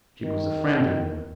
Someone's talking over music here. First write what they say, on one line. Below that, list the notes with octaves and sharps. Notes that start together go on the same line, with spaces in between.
She was a friendly woman.
D#3